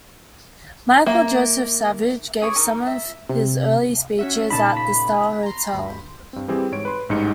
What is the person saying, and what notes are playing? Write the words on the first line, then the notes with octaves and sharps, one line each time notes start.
Michael Joseph Savage gave some of his early speeches at the Star Hotel.
A#3 E5
G#4 C#5 D6
D#4 A#4
E5
C3
C#4 F#4 E5
A#2 C#3 D#4 A5 B5
B5
A#5 C6
D2 G2
G2 C4
E3 G3 C4 G4 G#4
G#2 C#5 D7
B4 C6
A1 G#2 G3 D#4 C#7